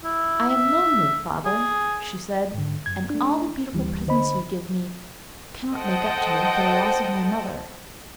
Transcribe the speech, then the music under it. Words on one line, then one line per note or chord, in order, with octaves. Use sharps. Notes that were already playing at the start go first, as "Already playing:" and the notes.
'I am lonely, father,' she said, 'and all the beautiful presents you give me cannot make up to me for the loss of my mother.
E4
E5
G#4
G#2 D3
F#2 G#6
A3 D4
D2 E3 G3
D3 C5 D#5 B5
A4 C5 D#5 F#5 G5 A5